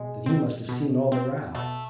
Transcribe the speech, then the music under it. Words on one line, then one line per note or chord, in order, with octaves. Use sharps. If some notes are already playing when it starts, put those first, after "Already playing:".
"Then he must have seen all the row."
Already playing: B2 G#3
C4
B2
C4
B2 A3